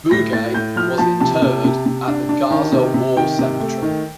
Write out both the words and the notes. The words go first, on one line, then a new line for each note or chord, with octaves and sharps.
Boughey was interred at the Gaza War Cemetery.
A2 A#6
A2 A6
A2 G6
F3 F6
F3 A5
C3 A5
C3
C3
C3
D4
D4
D#3
C3
C3
D#3 G5
C3
A3
D#3